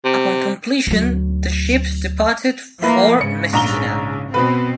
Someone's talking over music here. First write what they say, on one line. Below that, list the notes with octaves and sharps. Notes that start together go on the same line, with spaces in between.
Upon completion, the ships departed for Messina.
C3
D2 F#3
F3 A#3 E4 B4
G#2 C#3 C#7
A#1 A#5 G7
B2 B3 C4 F#4 B4